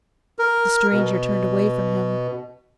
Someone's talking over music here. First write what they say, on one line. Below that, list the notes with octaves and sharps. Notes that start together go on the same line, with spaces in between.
The stranger turned away from him.
A#4
B2